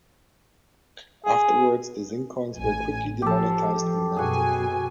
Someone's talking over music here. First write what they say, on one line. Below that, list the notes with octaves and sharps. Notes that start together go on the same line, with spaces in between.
Afterwards, the zinc coins were quickly demonetized and melted.
G#4
A1 G#5
F3 G4 A4
F#2 B2 F#4 G#4 G#5